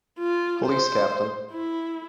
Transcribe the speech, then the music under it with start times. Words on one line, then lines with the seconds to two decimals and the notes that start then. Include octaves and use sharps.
Police Capt.
0.19 F4
0.67 C5
1.52 E4